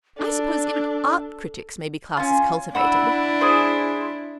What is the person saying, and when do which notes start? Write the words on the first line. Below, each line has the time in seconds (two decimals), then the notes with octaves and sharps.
I suppose even art-critics may be classed as cultivated.
0.17 D4 A4
2.17 C#4 F4
2.75 D4 E4 F#5 B5 E6
3.41 G#4 C5